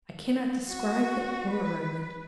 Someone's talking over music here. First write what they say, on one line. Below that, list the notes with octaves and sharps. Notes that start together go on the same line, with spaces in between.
I cannot describe the horror of it.
F#4
B4